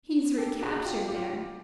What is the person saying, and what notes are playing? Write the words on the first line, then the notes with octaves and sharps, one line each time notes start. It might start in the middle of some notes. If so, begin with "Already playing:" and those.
He's recaptured, there!
G4 A4
F#4 G#4
F4 G4
F4 G4